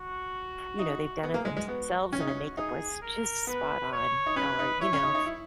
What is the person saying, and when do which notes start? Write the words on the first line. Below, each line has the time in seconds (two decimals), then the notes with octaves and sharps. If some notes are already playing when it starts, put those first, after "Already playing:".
you know, they've done it thems selves, and the makeup was just spot on or you know,
Already playing: F#4
0.79 D#4
1.23 B3 G#4
1.34 A#3
1.45 G#3
1.56 G#3
1.67 B3 F#4
2.13 C#4
2.20 D#4
2.27 C#4
2.57 D#4 G#4
3.02 A#4
3.47 B3 B4
3.92 C#5
4.26 D#4
4.36 C#4 B4
4.59 D#4
4.81 E4 C#5
4.93 C#4
5.03 D#4
5.15 D#4
5.26 E4